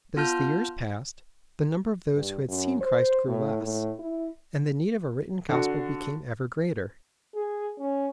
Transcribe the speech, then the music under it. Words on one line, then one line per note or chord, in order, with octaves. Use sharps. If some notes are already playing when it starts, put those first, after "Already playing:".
But as the years passed, the number of those who had seen Christ grew less, and the need of a written Gospel became ever greater.
B3 F4 A5 F6 G6
G2
F#2
C5
A2
A2
E4
D3 F#4
G#4
C#4